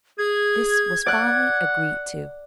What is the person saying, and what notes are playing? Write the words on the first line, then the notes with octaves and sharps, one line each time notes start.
This was finally agreed to.
G#4 G#6
D5 F#5 F#6